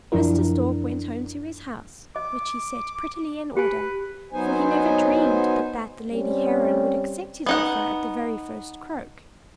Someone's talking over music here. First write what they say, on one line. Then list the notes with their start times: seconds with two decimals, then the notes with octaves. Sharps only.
Mr. Stork went home to his house, which he set prettily in order: for he never dreamed but that the lady Heron would accept his offer at the very first croak.
0.12 F#2 F3 D4 E4 A#4
2.16 D#5 D6
3.57 G4 B4 G#5
4.33 F#3 B3 D#4 C5 G#5
6.11 G3 C4 C#4
7.46 B3 D#4 F#5